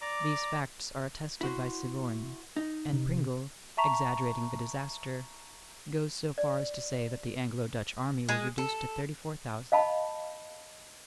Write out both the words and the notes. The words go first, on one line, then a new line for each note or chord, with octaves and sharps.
These facts are attested by Siborne; and Pringle, exaggerating the disaster, goes so far as to say that the Anglo-Dutch army was reduced to thirty-four thousand men.
D5 A#5 D6
E4 F#4 C5
D#4
C3
E5 A5 A#5 C#6 B6 F7
D5
G#3
A4
D#5 F5 A5 B5